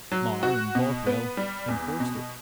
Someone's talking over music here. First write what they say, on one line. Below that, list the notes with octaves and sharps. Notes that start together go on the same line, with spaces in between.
Mar and Bothwell enforced it.
F#3
F#4
B2
B3
G3
E2
B2